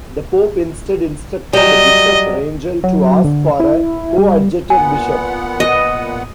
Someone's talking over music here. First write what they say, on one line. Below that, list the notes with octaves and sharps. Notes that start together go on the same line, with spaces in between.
The Pope instead instructed Bishop Rangel to ask for a coadjutor bishop.
F#3 G3 D#5
F#3
D3
E4
G3
A#2 B3 F#5 G#5
D#5